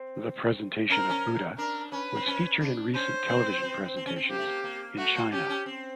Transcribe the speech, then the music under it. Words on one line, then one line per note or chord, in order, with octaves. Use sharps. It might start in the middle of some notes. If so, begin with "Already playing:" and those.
"The Presentation of Buddha" was featured in recent television presentations in China.
Already playing: C4
C#4 A#4
C4
C#4
D4 A#4
C#4 B4
C4
C#4
D4
C#4 C5
C4
C4
C4
C#4
C4
A#3 G4
A3
A#3
A#3
A3 F#4
A#3
C#4 G4
C#4
C4